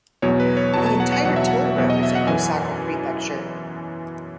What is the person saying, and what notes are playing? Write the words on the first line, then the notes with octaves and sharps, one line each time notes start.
The entire toll road is in Osaka Prefecture.
E2 B2 F#3 C#5
B4
C#5
E2 B2 F#3 A5
A5
F#5
F#5
E2 B2 F#3 F#5
E5
F#5
E2 B2 F#3
D#5
E5
F#5
F#2 E3 G#5